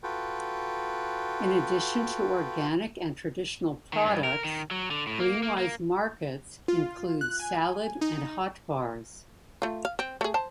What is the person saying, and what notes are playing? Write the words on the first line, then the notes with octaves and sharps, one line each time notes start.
In addition to organic and traditional products, GreenWise Markets include salad and hot bars.
F4 F#4 A4 B4 G5
D#3
G2
A#4
D#3
F#3
D3
A2
A#3
A#3
A#3
F4
F#6
G#5
D#4
A3 F4
F5
C4
A3 G#4
C5 A5